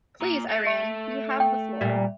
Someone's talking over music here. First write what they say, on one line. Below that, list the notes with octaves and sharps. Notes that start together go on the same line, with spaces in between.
Please, Iran, you have the floor.
A#2
A3
E5
G5
A#2 G3